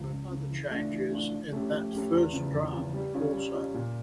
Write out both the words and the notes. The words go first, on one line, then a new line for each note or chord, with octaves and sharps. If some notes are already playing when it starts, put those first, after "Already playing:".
There were other changes in that first draft also.
Already playing: C#2 C#3 F3
C#2
C#3 F3
E3
A3 D4 F4
E3
A3 D4 F4
F3
A3 C#4 G4
F3
A3 C#4 G4
E2
C#3 F3
E2
C#3 F3
G3
C#4 F4
G3
C#4 F4
A#2